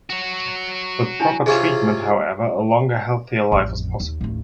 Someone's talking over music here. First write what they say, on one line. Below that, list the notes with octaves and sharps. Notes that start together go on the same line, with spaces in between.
With proper treatment, however, a longer, healthier life is possible.
F#4 C#5
D4 E4 G#5
C3 C#4 F4 G#4
A1 F2
D#2
A1 D#2